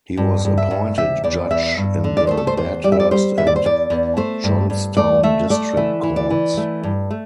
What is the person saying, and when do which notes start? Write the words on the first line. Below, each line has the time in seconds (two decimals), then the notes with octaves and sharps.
He was appointed judge in the Bathurst and Johnstown District courts.
0.17 G2
0.45 G2
0.58 E5
0.71 G2
0.98 C3 E5
1.24 E2 D5
1.51 E2 E5
1.77 G2
2.04 D3
2.17 D5
2.27 A3 C5
2.37 A4
2.47 C5
2.57 E2 C5
2.84 G3 D5
2.92 E5
3.00 D5
3.11 G3 C5
3.37 E2 E5
3.47 D5
3.56 C5
3.64 E2 D5
3.90 E2
4.17 A3 C5
4.44 G2
4.70 G2
4.97 A3 D5
5.23 A3 E5
5.50 A3 D5
5.77 E3 E5
6.03 E3
6.16 D5
6.30 E3
6.57 A3
6.83 G2
7.10 A3